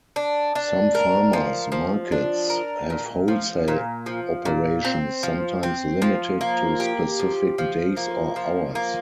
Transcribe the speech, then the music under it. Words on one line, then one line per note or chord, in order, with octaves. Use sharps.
Some farmers' markets have wholesale operations, sometimes limited to specific days or hours.
D4
D4
A#4
F3
F3
D4
A#4
A#2
F3
A#2
F3
A#2
C4
F3
C4
F3
A#3
G4
F3
F3
A#3
F3
A#3